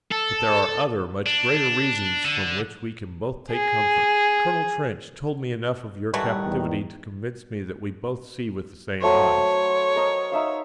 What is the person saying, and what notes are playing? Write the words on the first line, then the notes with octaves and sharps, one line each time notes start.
But there are other, much greater reasons from which we can both take comfort. Colonel Trench told me enough of your captivity to convince me that we both see with the same eyes.
A4
D4
D3
G#4
D#3 E3 G3 A3 F#4
E2
F#3 A3 C5 C#5
A#4 D#5
D#4 E5 F5